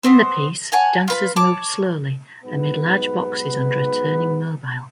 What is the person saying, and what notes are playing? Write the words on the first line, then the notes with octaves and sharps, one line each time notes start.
In the piece, dancers moved slowly amid large boxes under a turning mobile.
B3 C4 C5
C#5 F#5 G#5 A5
F4 B4 B5
C#5 A5 D6
B1 G#2 B3 B4